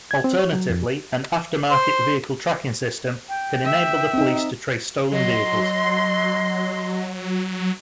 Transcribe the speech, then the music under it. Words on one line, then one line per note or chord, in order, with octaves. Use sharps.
Alternatively, an aftermarket vehicle tracking system can enable the police to trace stolen vehicles.
G#6
C4
C#5
F#3
F2
C5
G5
E5
C4 D#4
F#3 D#5 C6